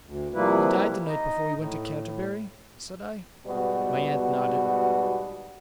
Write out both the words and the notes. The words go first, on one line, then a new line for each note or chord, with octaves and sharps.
'He died the night before we went to Canterbury?' said I. My aunt nodded.
D2
C3 F3 G3 A#3 E4 B4
D#4 D#5
A2
G#2 B2 G3 B3 F#4